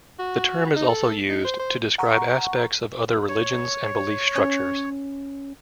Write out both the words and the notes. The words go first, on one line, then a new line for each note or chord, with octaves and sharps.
The term is also used to describe aspects of other religions and belief structures.
F#4
D#4
A4
D#4
C5
C5
F#5 A#5 C#6
C#5
C#4